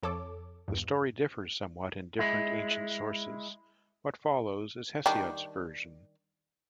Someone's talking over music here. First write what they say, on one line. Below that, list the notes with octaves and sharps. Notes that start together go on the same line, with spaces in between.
The story differs somewhat in different ancient sources; what follows is Hesiod's version.
F2 A4 C#5 D6
E2 G2
G#3 E4
D#3 G3 D4